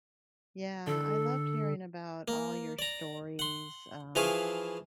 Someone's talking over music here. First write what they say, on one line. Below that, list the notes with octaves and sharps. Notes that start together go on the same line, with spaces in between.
yeah, I loved hearing about all your stories, um,
D3 D4 A4
A#3
D5 A#5
F#5 C6
E3 F3 E4 G#4 F5 C#6